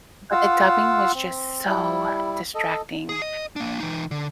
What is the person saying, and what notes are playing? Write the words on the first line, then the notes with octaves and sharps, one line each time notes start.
but the dubbing was just so distracting.
F4 F5 F#5 E6
C4
G3 E4
A4 D#5
G#4
D#5
A#3 D4
E3 D#4
D3